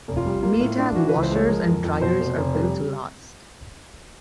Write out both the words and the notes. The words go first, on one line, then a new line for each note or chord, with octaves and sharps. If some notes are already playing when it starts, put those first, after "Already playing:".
Maytag washers and dryers are built to last.
F1
F4
G3
A#3 F4
A2
D4
E3 F#4
C#2 B4
C5
G#3 C#5
F3 A#4
F2
F2
B2 C5
F1
F1
G3 B4